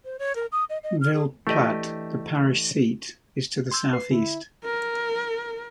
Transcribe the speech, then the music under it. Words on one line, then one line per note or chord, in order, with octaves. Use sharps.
Ville Platte, the parish seat, is to the southeast.
C5
C#5
A#4
D#6
D#5
D#5
F6
G#4
E3 A3 D4 G4 D#5
C6 E6 G6
B4 C7
D3 E4
A#4